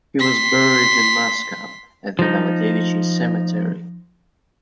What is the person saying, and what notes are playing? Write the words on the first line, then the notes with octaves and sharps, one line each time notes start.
He was buried in Moscow, at the Novodevichy Cemetery.
C6 B6
F3 D#4